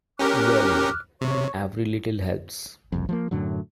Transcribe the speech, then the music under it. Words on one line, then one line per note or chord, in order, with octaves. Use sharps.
Well, every little helps.
C#4 G4 A#4 D6 F6 F#6
C3 C#5 C#6
F#1 C2 F2
F3 F#3 A#3
F#2 A2 D3 F#3